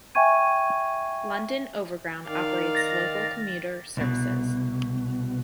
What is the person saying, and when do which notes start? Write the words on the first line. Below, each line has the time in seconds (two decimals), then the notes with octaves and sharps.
London Overground operates local commuter services.
0.15 E5 G5 G#5 C#6 G#6 D#7
2.26 D#3 D5 F5
2.75 A6 A#6
3.97 C2 B2